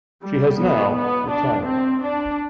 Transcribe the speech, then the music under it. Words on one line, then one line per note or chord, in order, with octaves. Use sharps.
She has now retired.
G3
B3
B3
D4
C4
D4